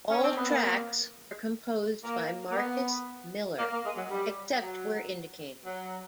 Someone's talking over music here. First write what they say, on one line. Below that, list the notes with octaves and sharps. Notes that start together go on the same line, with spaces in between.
All tracks were composed by Marcus Miller, except where indicated.
C#4
C4
B3
A#3
A#3
A#3
B3
A#3
A#3
G#3
F#3
G3
F#3
F#3